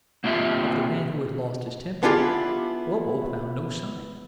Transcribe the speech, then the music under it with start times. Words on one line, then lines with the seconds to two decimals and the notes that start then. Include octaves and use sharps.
Of the man who had lost his temper, Bobo found no sign.
0.24 A#3 C4 F4 G4 E5
2.03 B3 D4 E4 F4 G4 G#4